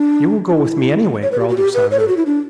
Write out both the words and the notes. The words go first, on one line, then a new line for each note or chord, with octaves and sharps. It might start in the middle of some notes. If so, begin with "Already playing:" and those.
"You will go with me anyway," growled Usanga.
Already playing: D4
D4
E4
C#5
B4
G4
F#4
G4
B4
C#5
A4
F#4
E4
D4